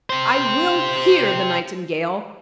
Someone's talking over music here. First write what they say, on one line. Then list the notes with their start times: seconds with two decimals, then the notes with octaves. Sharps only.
I will hear the Nightingale!
0.10 G4 C5